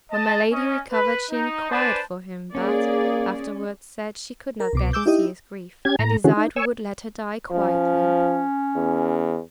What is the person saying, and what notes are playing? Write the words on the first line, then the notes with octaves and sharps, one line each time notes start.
When my lady recovered, she enquired for him, but, afterwards, said she could not bear to see his grief, and desired we would let her die quietly.
D#5 A5
C#4 D#5
B4
D#4
D4 B4 C5 D5 G#5 A5
A#3 C#4 G#4 D5
A#4
C2 B2 D6
G#3 D6 E6 G6
D#4 E4 G4 D#5
C#4 G4 G#6
A2 A#5
D3 E3 C#4 F#4 G#4
D#4
C#5 G#5 C#6 E6
F3 C#4
E2